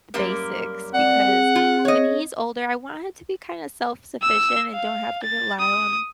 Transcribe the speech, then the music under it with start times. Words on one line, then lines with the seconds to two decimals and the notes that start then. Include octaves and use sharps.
the basics," because when he's older, I want him to be kinda self-sufficient and don't have to rely on
0.14 F#2 G3 A#3
0.94 C4 D5 F#5
1.26 G#4
1.55 F4
1.85 C#5 D#5
4.22 E6
4.74 F5
5.23 A6
5.59 D#6